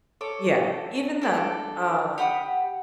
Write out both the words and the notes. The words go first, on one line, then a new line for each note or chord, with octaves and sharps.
yeah, even then, um
A4 C#5 D6
D4 A4
G4 F#5 B5 D#6